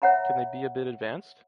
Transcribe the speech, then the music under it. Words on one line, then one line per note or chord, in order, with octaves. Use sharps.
Can they be a bit advanced?
C#5 E5 F#5 A#5 B5